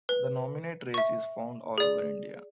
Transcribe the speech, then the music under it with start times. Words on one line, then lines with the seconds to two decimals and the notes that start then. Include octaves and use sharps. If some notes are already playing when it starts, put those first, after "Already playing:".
The nominate race is found all over India.
0.09 B4
0.94 E5 C#6
1.78 G#4 D5